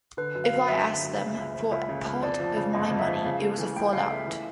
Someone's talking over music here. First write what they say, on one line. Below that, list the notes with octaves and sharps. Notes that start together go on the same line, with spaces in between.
If I asked them for part of my money, it was a fallout.
D3 B4
F#2
F5
F#3
F#2 E5
D3
F#2
C#3
C#2
F3
C#2 E5
C#3
C#2
F2 D5
F3
C#3
G1 D#5
F2
E5
F3
C#3 F5
A3
E3
C#2 G5
C#3 F5
A3 E5
E3